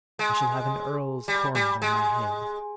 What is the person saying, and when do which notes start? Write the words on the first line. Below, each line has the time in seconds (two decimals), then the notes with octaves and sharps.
I shall have an earl's coronet on my head.
0.19 G#3
1.28 G3
1.55 G3
1.82 G#3